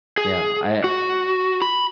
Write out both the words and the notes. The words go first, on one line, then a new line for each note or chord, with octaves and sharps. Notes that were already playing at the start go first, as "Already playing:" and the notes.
Yeah. I
G#4
F#4
B5